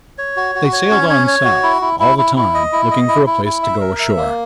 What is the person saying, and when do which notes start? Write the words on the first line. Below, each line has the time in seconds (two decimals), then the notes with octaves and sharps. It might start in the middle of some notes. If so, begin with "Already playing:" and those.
They sailed on south, all the time looking for a place to go ashore.
0.18 C#5
0.37 F#4
0.55 F#4
0.73 C#5
0.91 C#4
1.10 C#5
1.27 C#5
1.45 F#4
1.63 E4
1.82 E4
2.00 E4
2.18 E4
2.36 E4
2.54 D#5
2.73 E4
2.91 D#5
3.08 E4
3.27 E4
3.45 E4
3.63 E5
3.81 A#4
4.00 E5
4.17 A#3